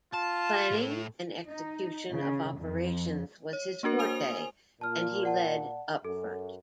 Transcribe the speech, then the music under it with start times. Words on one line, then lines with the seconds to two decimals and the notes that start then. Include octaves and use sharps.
Planning and execution of operations was his forte and he led upfront.
0.14 F4 A5
0.71 A2 A4
1.48 D#4
2.11 C#3
2.58 F2
3.53 C#5
3.83 A#3 D4 F#4 A#4
3.99 C5 G#5 D#6 F7
4.81 A#2 A5 F6
5.23 D5 F#5 A5
6.04 F#2 A4